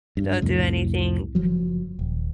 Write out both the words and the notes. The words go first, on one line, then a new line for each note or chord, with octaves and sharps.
don't do anything."
G2
C2 F2 A2
F#1 F3 F#3
D#1